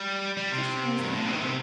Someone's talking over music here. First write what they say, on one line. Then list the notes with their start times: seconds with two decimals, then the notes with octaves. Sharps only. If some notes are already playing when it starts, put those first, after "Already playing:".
Tishnar is angry.
Already playing: G3
0.37 G3
0.52 C3
0.99 G2
1.13 A2
1.26 B2
1.33 D#3
1.40 C3